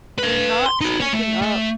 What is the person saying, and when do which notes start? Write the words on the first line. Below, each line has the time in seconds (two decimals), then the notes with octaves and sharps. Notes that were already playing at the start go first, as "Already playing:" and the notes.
you're not speaking up
0.19 B4 F5
0.66 C6
0.81 D#4 F#4
1.00 C#5 G#5
1.13 A3
1.42 A3